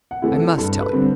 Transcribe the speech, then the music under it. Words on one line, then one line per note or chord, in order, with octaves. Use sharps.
I must tell you.
F#5
E3 A3 C4 E4
A4
G2 A4
B4
D3 G3 C4